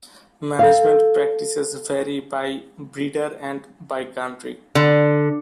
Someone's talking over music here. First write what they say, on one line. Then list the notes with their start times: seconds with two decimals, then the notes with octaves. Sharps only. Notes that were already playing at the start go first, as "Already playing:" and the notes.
Management practices vary by breeder and by country.
0.59 A4 F5
4.75 D3